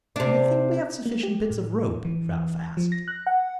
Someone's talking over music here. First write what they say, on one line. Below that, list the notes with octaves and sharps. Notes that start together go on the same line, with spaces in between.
"Do you think we have sufficient bits of rope," Ralph asked.
C3 D4
A#3
G4
A2
E3
F3
A#6
F#6
F#5